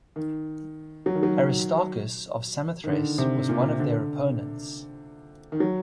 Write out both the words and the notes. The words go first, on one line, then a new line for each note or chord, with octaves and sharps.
Aristarchus of Samothrace was one of their opponents.
D#3
F#3
D#3
F#3
D#3
D3
C3
A#2
D3
D#3
F#3